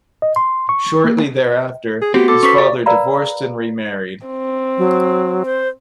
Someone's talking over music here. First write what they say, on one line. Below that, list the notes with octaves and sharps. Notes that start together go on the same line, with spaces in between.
Shortly thereafter, his father divorced and remarried.
D#5
C6
C#6
A#3
G#4
A3 B3 C4 F#4 G4
A4 D6
C#4 B4 C5 C#6 B6
G4 D5
A#4 B4 D5 F5 A#5 B5
C4
F#3
C5